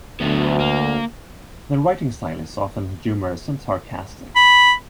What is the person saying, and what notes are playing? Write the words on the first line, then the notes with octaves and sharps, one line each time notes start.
The writing style is often humorous and sarcastic.
D2 F#3 A3 B3
A#3
B5